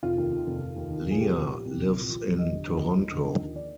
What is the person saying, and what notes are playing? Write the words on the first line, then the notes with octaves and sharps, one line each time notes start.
Lea lives in Toronto.
F1 F4
D#2
D#3
F1
F1
D#2
D#3
F1
G#4
C2 G4
A#2
F3
C2
C2
A#2
F3
C2
D#2 D#5
D3
F3
D#2
D#2
D3
F3
D#2
D5